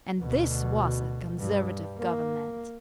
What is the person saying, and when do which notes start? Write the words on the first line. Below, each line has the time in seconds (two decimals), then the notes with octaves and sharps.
And this was a Conservative Government!
0.19 D2 B2
1.39 G2
1.99 A#3